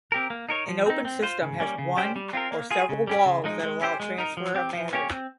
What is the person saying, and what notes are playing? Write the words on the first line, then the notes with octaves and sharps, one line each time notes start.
An open system has one or several walls that allow transfer of matter.
C4 G4 A#4
A#3
D#4 A#4 C#5
F3
C4 D#4
C4
F4 C5
C#3
G3 A#3 C#4
C#3
G3 C#4 G4 C5
G3
C4 F4 A#4
A#3
F4 G#4
C#3
G3 C#4 G4
C#3
F3 G#3 D#4
G#3
C#4 G4 C5
G#3
D#4 A#4
F3
C4 G4
F3
A#3 C#4 G4 C#5
C4